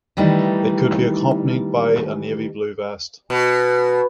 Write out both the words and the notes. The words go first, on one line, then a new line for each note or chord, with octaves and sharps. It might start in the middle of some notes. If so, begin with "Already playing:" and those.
It could be accompanied by a navy blue vest.
D#3 E3 G3 A3 D#4
B2